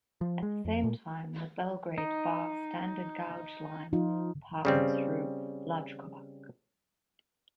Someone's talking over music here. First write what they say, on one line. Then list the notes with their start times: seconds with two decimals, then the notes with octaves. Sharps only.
At the same time, the Belgrade-Bar standard gauge line passed through Lajkovac.
0.21 F3
0.43 G#3
0.65 F2
0.84 A#2
1.98 D#4
3.93 F3 D#4 F4
4.65 C#3 G3 C4